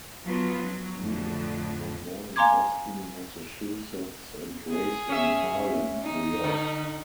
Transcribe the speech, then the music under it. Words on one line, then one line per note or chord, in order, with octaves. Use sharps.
Tifrere was born in Boston, Massachusetts and raised in Harlem, New York.
F3 F#3 B3 F4 B4
F#3
F2 A2 D3
F5 G#5 A#5 C6 D6 G#6
G#4
C#4 E5
D#4
D3